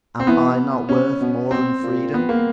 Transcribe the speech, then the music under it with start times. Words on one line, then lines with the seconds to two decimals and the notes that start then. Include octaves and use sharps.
Am I not worth more than freedom?
0.20 C4
0.27 E3 B3
0.89 B2 C#4
1.21 B2
1.51 B2 C4
1.83 A#2
2.14 B3
2.29 A#3